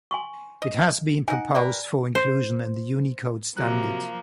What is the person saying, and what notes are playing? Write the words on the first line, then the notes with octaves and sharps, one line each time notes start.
It has been proposed for inclusion in the Unicode Standard.
G#5 C6 C#6
D#5
D#4 D#5 F#5 G#5
G3 A#4 B4 D5
C5
C3 F3 F#3 A#3 F#6